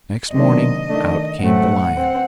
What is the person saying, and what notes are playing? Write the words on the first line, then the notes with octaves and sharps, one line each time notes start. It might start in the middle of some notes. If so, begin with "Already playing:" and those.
Next morning out came the lion.
C3 D#3 F#3 A#3 D4 D#5
D#3 A3 D4
A2 F#3 A3 C4 F#5
C4